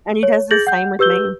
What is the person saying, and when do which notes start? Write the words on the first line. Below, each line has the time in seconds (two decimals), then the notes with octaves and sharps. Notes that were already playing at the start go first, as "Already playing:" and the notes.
and he does the same with me.
0.23 C#5
0.51 G#4 G6 A6 A#6 F#7
0.67 F#5 G6
0.99 G4 B4 E6 G6 G7